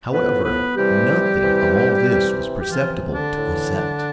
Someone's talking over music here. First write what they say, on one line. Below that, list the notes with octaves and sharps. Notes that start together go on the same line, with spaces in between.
However, nothing of all this was perceptible to Cosette.
A2 F3 B3 B4
B3 B4
C3 E3 G3 G4
C3 E3
C3 E3
G4
C3 E3 F3 F4
D3 D4
A2 E3